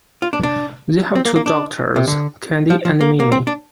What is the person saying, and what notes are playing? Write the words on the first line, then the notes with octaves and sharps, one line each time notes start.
They have two daughters, Candy and Mimi.
F4
D4
D4
C4
A#3
A#3
D4
C3
D3
F3
F3
A#3
A#3
C4
D4